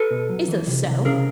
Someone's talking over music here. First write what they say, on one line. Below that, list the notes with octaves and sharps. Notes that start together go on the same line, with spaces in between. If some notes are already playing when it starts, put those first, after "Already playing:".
Is this so?'
Already playing: A4 B4
B2
F#3
E3
C3
C3
C#3 G#4 A#4